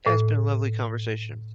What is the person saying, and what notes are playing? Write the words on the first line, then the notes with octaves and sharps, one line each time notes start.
yeah, it's been a lovely conversation.
A2